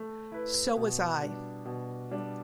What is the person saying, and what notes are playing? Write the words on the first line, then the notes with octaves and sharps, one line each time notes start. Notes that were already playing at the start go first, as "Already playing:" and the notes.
So was I.
Already playing: A3
E4 B4
B2
G3 D4
B2
G3 D4